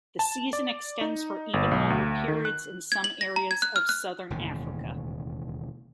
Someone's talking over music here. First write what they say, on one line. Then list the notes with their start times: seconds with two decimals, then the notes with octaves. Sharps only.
The season extends for even longer periods in some areas of southern Africa.
0.19 A5
0.53 D5
1.01 D#4
1.54 G1
1.71 B1
1.90 D2
2.28 D#3
2.45 F#6
2.92 G#6
3.04 F#7
3.21 A#6
3.36 A#5
3.51 G#6
3.62 F#6
3.76 F6
3.89 F#6
4.30 E1 D#2 A2 C#3